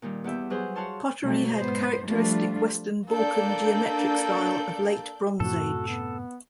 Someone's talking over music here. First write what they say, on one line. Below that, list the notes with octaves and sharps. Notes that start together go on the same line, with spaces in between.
Pottery had characteristic Western Balkan geometric style of late Bronze Age.
A#2 D#3 G3
E2 B3 G4 E5
F#3 G#4 B4 C5
F#4 C#5 F5 A5 C6
B2 F#3 G3 A3
G#2 B3 C5
F3 G3 A3 D4 F4
A#3 D4 A4 D5 G6
F#2 A2 C3 F#4 A4
B3